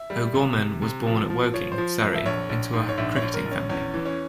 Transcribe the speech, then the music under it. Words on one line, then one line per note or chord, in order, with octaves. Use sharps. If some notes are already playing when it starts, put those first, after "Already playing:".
O'Gorman was born at Woking, Surrey, into a cricketing family.
Already playing: E5
G3
C3
C3
C3
F3
F3
F3 C#5
C5
F3
F2
E5
A#1 C#5
A#1
G#2
C#5
A#1 E5
C#5
A#1
A#4
A#1
C#4
E2 C#4
E3
C#4